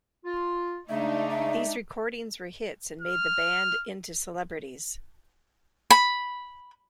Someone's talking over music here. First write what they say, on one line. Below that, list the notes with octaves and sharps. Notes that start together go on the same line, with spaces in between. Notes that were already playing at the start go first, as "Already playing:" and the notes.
These recordings were hits and made the band into celebrities.
F4
C#3 G#3 A3 D4 D#4 E5
E5
F6
B5